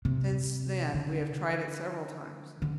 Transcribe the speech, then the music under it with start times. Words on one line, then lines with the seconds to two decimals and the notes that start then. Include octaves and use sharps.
Since then we have tried it several times.
0.05 C3
0.94 D3
2.62 D3